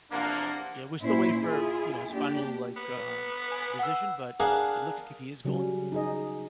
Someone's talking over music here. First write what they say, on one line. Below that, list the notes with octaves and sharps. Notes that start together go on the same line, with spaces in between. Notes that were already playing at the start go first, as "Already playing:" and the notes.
Yeah, we're still wait for, you know, his final, like, um, decision, but, it looks like he is going,
E2 C3 F3 A#3 D4 F#5
A#2 C#4 E4 C5
E4 F4 G#4
A#3 D4 G4
B3 B4
G#5
F#5 E6
D4 G#4 A#4 F5 F#5 G#5
C#3 F#3 G3 C#4
D#4 G#4 D#5